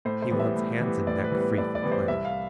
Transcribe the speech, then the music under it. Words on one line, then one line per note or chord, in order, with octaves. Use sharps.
He wants hands and neck free for climbing.
A2 C5
C5
E3 G3 B3
E5
A2
E3 G3 B3
A2 D5
B4
E3 G3 B3
B4
A2 D5
D5
E3 G3 B3
C5
C2 E5
F5